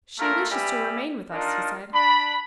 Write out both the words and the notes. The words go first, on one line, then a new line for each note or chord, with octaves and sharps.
"She wishes to remain with us," he said.
A3 A#3 F4 A#4
G3 B3 G4 E5 G#5
D4 D#4 F4 A#4
D4 B5